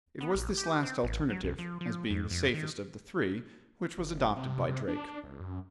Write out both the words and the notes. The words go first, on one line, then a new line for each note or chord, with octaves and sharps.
It was this last alternative, as being the safest of the three, which was adopted by Drake.
B3
A#1
G4
C4
A1
F#3
C2
F3
F3
F2
F2
D#3
F#1
C3
C3
D4
C#2
F#2